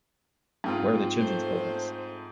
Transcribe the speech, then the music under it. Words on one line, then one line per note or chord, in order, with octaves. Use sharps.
Where are the children’s programs?
G#2 C4 F4
A3 C5